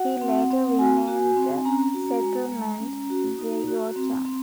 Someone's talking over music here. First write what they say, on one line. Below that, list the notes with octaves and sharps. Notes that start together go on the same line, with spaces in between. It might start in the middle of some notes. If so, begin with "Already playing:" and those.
He later renamed the settlement Wiota.
Already playing: F#4 F#5
C4
C4
F#4 G#5
F#4
C4
C#4 A#5
F#4
G#3
G#3
C#4
F#4
D#4
F#4
C4
C4